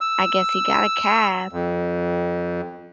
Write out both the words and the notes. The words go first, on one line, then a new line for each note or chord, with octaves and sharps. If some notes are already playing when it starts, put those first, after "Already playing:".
I guess he got a cab
E6
F2